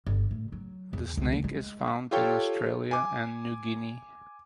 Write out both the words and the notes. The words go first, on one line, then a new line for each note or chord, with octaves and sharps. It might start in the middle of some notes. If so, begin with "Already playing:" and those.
The snake is found in Australia and New Guinea.
G1
A2
F#3
E2
C#2
A#3
G#3
F4 G4 A4 C#5 G5
G#5 D6